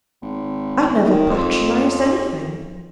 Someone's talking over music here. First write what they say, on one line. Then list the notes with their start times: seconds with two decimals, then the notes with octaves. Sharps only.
I never patronised anything.
0.22 G#1
1.05 D#3
1.30 F2